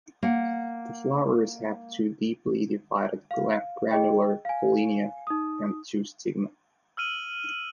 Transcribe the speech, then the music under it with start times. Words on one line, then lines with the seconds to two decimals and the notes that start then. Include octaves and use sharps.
The flowers have two deeply divided granular pollinia and two stigma.
0.23 A#3 F#5
3.31 F5
3.91 G#4 D#5 G5
4.45 F5 G#5
5.27 D#4 D#6
6.97 E6 F6 D#7 F#7